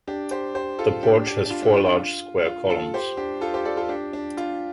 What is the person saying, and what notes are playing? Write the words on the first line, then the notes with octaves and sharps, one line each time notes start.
The porch has four large square columns.
D4 G4
G4 C5
G4 C5
F4 A4
D4 G4
D4 G4
D4
F4
D4
F4
F4
F4
F4 A4
G4 C5
D4 G4
F4 A4
G4 C5
A4 D5
F4 A4
D4 G4
D4
F4